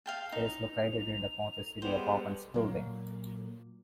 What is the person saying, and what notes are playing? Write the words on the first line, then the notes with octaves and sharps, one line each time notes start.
It is located near the Ponte City Apartments building.
F5 G5 A5
D#4 F7
G3 G#3 B3 C5
A#2 F#3 A#3